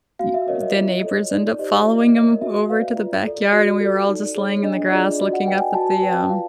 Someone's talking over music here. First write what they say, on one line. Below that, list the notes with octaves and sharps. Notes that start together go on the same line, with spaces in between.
you the neighbors end up following him over to the backyard, and we were all just laying in the grass looking up at the, um,
F#4 F5
E5
A#4 C#5 D#5
D#5
F4
A4 C#5
D#4 D5
G4 C5 D#5
F4 E5
D#5
A#4 C#5 D#5
D#5
F#4 E5
B4 D5 F5
F4
A4 D5
F#4
A4 D5
D#4
G#4 C#5
D4 D#5
F4 G#4 D5
F#4 D#5
F#5
B4 D5 G5
G#5
F#4 A5
B4 D5 G5
F4 F5